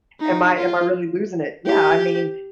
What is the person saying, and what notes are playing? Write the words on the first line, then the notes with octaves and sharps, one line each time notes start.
Am I am I really losing it? Yeah, I mean,
D#4
F4
G4